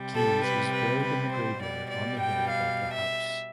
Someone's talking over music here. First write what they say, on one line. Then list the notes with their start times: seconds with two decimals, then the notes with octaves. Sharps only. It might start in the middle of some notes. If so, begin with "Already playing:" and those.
Keys is buried in the graveyard on the hill above the house.
Already playing: C3 G3
0.15 A4
0.45 B4
0.74 B4
1.03 B4
1.32 C5
1.61 B2 G3 D5
1.91 D5
2.20 G5
2.49 F5
2.93 E5